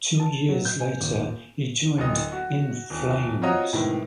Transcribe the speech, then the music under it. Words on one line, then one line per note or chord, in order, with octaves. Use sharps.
Two years later he joined In Flames.
A5
F#3
G6
G#5
D#1
D1 D#5
F#4
D#1
C4 F4 F#4 C#5 D#5 A#5
A2 C3 D#3 E3 G#3